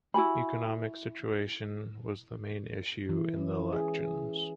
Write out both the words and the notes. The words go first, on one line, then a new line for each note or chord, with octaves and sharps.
Economic situation was the main issue in the elections.
E4 F#4 G#5 B5
E3
C#4
G#4